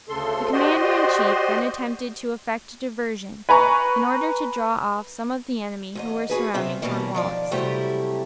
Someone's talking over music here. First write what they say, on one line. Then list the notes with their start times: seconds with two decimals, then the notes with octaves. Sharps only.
The commander-in-chief then attempted to effect a diversion, in order to draw off some of the enemy who were surrounding Cornwallis.
0.09 D2 C#3 A4 C6
0.52 F#4 G4 C5 D5 D#5 C6
3.49 B4 G#5 A#5 C#6
5.95 E2 G#2 D#5
6.30 F#4 G#4 B4
6.54 C3 B3 C4 F4 E5
6.82 B2 D#3 E3 F#3 G3 A#3
7.14 D#3 F3 D5
7.51 C3 F#3 G3 A3 E4 G4